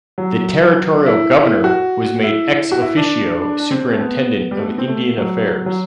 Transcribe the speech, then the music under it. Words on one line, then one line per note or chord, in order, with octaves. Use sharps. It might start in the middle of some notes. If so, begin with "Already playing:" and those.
The territorial governor was made "ex officio" Superintentant of Indian Affairs.
F#3
E4
E4
F#4
E4
F#4
E4
D4
D4
D4
C4
A3
B3
G3
A3
B3
C4
A3
F#3
F#3